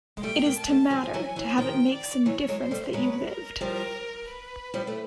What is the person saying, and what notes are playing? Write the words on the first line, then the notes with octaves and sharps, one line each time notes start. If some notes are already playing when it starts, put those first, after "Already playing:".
It is to "matter," to have it make some difference that you lived.
G#3
G3 A3 G5
G#3 A#3
A5
G3 A3
F3 G3 G#5
F3
E3 F#3
E3 F#3
D#3 F3 G5
D5
E3 F#3 C#5
F#3 G#3
C5
G3 A3
F#3 G#3 B4
A#4
F3 G3 A#4
B4
F3 G3
A3